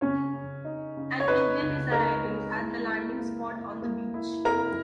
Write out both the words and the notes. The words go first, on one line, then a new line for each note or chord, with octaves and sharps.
An eagle is arriving at a landing spot on the beach.
C#3 C#4 C#5
C#3
D#4
C#3
C#5
D#4 B4
C#2
D#4 A#4 A#5
G#3
E4
E4
A#3
E4
A#3
E4
E4 A#4 A#5